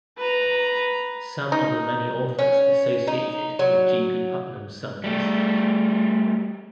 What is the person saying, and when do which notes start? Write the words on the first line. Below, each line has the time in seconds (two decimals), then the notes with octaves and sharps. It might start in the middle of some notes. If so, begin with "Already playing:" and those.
Some of the many authors associated with G. P. Putnam's Sons.
0.18 B4 A#5
1.52 D#4
2.39 C#4
3.07 D#4
3.59 F#3
5.04 G3 A3